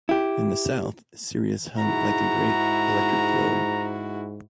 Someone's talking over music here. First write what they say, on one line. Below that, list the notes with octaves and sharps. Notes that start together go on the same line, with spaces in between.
In the south, Sirius hung like a great electric globe.
E4 G4
G#2 E4 F#4 A#5